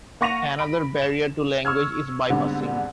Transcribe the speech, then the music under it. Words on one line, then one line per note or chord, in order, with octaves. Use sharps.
Another barrier to language is bypassing.
A#3 F#5 C#6 A#6 D#7 F7
B5 D7
E7
C#6 E6 F6 G#6
G#2 D3 G3 B3 C4